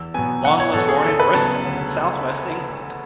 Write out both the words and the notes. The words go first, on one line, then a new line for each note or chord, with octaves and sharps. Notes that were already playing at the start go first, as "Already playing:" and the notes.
Long was born in Bristol, in south-west England.
Already playing: E2 E6
B2 F#3 B3 G#5
E2 F#5
C#5
B2 F#3 B3 A4
G#4
D2 A4
B4
C#3 F#3 B3 A5
D2